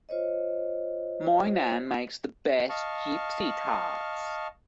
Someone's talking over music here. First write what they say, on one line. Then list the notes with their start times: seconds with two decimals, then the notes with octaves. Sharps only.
My nan makes the best Gypsy tarts.
0.09 F4 C5 C#5 D#5
2.69 D#5 F5 A5 C#6 F6